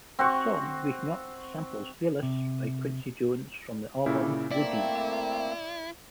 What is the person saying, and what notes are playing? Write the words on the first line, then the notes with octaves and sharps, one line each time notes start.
The song "Waking Up" samples "Velas" by Quincy Jones, from the album "The Dude".
C4 F#4 C#6
C3
A#2 C#3 E4 G4 A4
A3 A#3 C4 E4 D5